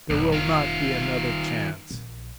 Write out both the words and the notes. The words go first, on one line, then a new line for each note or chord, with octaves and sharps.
There will not be another chance.
F1 B1 B3
D#3 F4
A#1